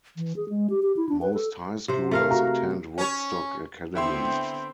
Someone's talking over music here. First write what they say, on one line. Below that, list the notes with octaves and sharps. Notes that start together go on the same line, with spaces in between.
Most high schoolers attend Woodstock Academy.
E3
G#4
G#3
G4
G4
E4
D4
B4
A4
C3 C5
A3 A#4 F5
F#4 A#5
C#4 C#5
D3 B3 C4 E4 E5 G5 C6